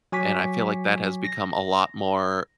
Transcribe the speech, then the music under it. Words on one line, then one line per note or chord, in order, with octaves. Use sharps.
and I feel like that has become a lot more
F#3 G#5 C#6 D6 B6
A#6